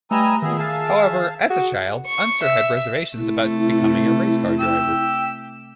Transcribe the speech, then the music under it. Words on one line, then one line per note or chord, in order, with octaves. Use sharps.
However, as a child, Unser had reservations about becoming a race car driver.
G3 A3 B4 D#5 G#5 A#5 E6
A#2 D#3 B3 G#4 E5
G#4 F5 A5
F#4 G#4
C#6
E5
C3 A3 E4
G4 E6